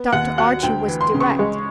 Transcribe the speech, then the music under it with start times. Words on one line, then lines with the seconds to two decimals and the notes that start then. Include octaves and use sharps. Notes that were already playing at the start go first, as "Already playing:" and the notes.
Dr. Archie was direct.
Already playing: B3
0.13 D#2 F#5
0.38 F#3 F#5
0.63 D2 G5
0.88 E3
1.01 C6
1.14 C#3
1.20 C#6
1.39 G#3